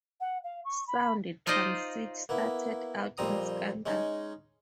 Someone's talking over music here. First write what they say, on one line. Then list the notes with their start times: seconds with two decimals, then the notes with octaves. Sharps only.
Sound Transit started out in scandal.
0.20 F#5
0.44 F5
0.65 C#6
0.87 B5
1.47 D#4 F4 C5 D5 D#5
2.29 A#3 B3 E4
3.18 F2 A#2 G3 C4 A#5 D#6
3.86 G#3 C#4 D#4